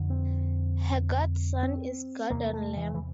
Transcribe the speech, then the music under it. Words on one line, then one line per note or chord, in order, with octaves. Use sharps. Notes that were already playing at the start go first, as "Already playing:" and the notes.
Her godson is Gordon Lam.
Already playing: F2 D3
C4
C4
E2 C3 A#3
A3
E3
E3